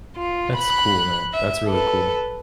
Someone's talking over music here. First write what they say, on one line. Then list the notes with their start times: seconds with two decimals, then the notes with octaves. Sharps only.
That's cool, man. That's really cool.
0.17 F4
0.56 B5 F#6
1.33 E5
1.68 A4 B4